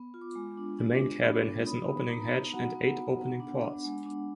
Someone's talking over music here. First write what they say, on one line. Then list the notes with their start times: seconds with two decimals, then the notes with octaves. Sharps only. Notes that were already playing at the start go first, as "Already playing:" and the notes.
The main cabin has an opening hatch and eight opening ports.
Already playing: B3
0.14 F4
0.21 D6
0.35 G#3
0.57 D4
0.78 D4
1.01 D4
1.22 B3
1.44 B3
1.66 D#4 B5
1.87 B3
2.09 D#4 A#5
2.31 B3
2.53 F#4 F#5
2.75 B3
2.98 B3
3.19 B3
3.40 D4
3.62 D4
3.84 G#3
4.06 D4